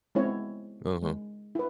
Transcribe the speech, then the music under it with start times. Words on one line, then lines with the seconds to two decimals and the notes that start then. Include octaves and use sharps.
Uh huh.
0.15 G#3 B3 C4 E4 C#5
1.02 G#3
1.55 E4 B4